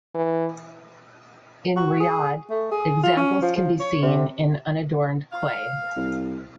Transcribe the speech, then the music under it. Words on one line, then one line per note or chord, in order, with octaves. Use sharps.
In Riyadh, examples can be seen in unadorned clay.
E3
F#4
G#4
A3
G#4
F4
C#4
F3
F3
C#5
C3
F5
C2